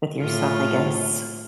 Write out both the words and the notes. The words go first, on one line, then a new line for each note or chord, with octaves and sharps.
with yourself, I guess.
A2 F4